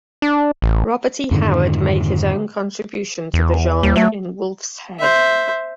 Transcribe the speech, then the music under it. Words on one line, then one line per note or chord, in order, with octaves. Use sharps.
Robert E. Howard made his own contribution to the genre in "Wolfshead".
D4
A1
F2 G#2 D3 D#3
E2
D#2 G3
F#3 A3
C5 E5